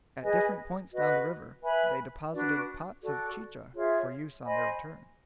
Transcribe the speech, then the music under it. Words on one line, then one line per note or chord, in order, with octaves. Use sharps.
At different points down the river they deposited pots of chicha for use on their return.
G#4 B4 D#5 G#5
F#4 B4 D#5
B4 E5 G#5 B5
D4 F#4 B4 D5
F#4 A4 D5
F4 G#4 C#5 E5
C5 D#5 G#5 B5